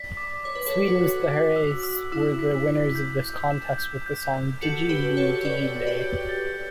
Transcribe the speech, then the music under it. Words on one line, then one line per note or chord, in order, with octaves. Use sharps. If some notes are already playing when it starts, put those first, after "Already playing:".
Sweden's the Herreys were the winners of this contest with the song, "Diggi-Loo Diggi-Ley".
Already playing: D5 B6
D6
C#5 D6
B4
A4 C#5
D6
F#4
F#6
B6
E6
E6
E4 E6
B6
B6
G6
B6
E7
G6
G6
G6
F#4 A4 C#7
G4 B4 G7
A4 C#5 C#7
B4 D5 C#7
G7
G4 B4
G6
A6